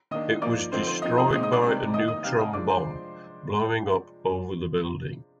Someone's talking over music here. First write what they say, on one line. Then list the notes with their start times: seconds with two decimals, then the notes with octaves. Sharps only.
It was destroyed by a neutron bomb blowing up over the building.
0.11 D#3 A#3 D4 D#5 D#6
0.42 F3 A#3 D#4 D5 D6
0.72 D3 F3 C4 D#4 C5 C6
0.87 C5 C6
1.02 F3 C4 D#4 D#5 D#6
1.17 D#5 D#6
1.32 A#2 G#3 C4 D#4 D#5 D#6
1.43 D#5 D#6
1.53 D5 D6
1.63 C3 G3 C4 D#4
1.94 D#3 A#3 D#4 D#5 D#6
2.08 D#5 D#6
2.24 C3 G3 C4 D#4 F5 F6
2.39 D#5 D#6
2.53 F3 G#3 D4 D5 D6
2.69 C5 C6